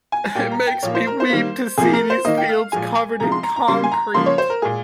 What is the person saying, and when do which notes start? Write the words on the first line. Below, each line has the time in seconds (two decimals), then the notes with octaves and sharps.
It makes me weep to see these fields covered in concrete.
0.12 G#5
0.35 A#2 G3 A#3 G5
0.52 A#5
0.66 G5
0.83 A#2 F3 A#3 C#5
0.95 C5
1.07 A#4
1.20 C5
1.30 D#3 G3 A#3
1.78 C3 F3 A#3 G#4
1.93 A#4
2.10 C5
2.25 D#3 A#3 D#5
2.37 G5
2.49 F5
2.72 A#2 F3 G#3 G#5
3.20 C3 F3 G#3 A#5
3.32 C6
3.43 A#5
3.56 A#5
3.68 C#3 G3 A#3 C6
3.84 G#5
3.92 A#5
4.14 C#3 F3 A#3 C6
4.26 C#5
4.38 C5
4.50 A#4
4.62 A#2 G#3 G#4